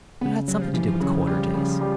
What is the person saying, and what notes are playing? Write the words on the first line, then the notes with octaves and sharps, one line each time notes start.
But it had something to do with quarter-days.
C#3 B3
F#3 G3
F3
E3 F3
F3
C#3 F#3
F3
F3 G3
C#3
G3